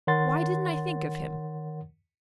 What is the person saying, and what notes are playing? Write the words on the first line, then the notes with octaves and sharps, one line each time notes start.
Why didn't I think of him?
D#3 A#4 C#5 F#5 C6 A6